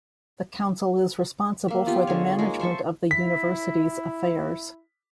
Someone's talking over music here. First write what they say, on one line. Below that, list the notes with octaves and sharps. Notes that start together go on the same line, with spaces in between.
The Council is responsible for the management of the University's affairs.
A#3 E5
B3 F4 G4
D3 G#3 C#5
G#3 A#3 D#4
C5 E5 A5 C#6
E4 B6